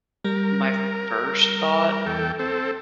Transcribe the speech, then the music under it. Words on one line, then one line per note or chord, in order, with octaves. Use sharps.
my first thought
G3 A#4
E2 A4 G5
C4 A4